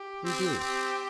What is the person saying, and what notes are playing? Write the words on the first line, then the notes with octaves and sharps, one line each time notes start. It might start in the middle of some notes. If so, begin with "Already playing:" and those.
"We do."
Already playing: G4
C4
C4 G4